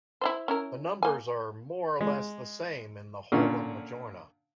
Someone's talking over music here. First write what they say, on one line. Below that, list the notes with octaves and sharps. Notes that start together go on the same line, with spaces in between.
The numbers are more or less the same in the whole of Majorna.
E4 F4 C5
C#4 E4 A#4
A#3 G#5
G#3
A#2 D3 C#4